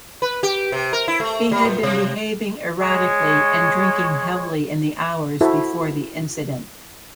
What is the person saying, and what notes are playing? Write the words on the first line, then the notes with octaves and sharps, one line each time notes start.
He had been behaving erratically and drinking heavily in the hours before the incident.
B4
G4
C3
A#4
E4
A3
G3
A#2
C3
G#3 C#5
E4 F#4 A4 C5 E5